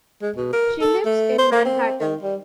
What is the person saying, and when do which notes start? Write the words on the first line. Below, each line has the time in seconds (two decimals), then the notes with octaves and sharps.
She lives in Manhattan.
0.22 G#3
0.36 B2
0.53 A#4
0.81 A4
1.06 A3
1.38 C5
1.52 A#3
1.65 C4
2.01 D#3
2.23 G3